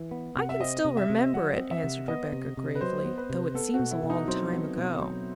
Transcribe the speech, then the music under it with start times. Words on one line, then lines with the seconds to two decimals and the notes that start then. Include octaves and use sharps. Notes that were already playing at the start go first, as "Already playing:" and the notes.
"I can still remember it," answered Rebecca gravely, "though it seems a long time ago."
Already playing: E3
0.11 B3
0.36 C3 F#5
0.49 E5
0.60 C4 D#5
0.85 C3
0.97 E5
1.10 C3
1.34 F#3 F#5
1.58 C4
1.71 E5
1.84 C3
2.08 B3 D#5
2.33 C3
2.57 C3
2.75 B4
2.81 F#3 C5
3.05 B3
3.18 B4
3.30 C3
3.54 B3 A4
3.74 F#4
3.79 B2
3.91 E4
4.04 B2
4.10 D#4
4.28 F#3 C4
4.53 B3
4.78 B2
5.01 F#3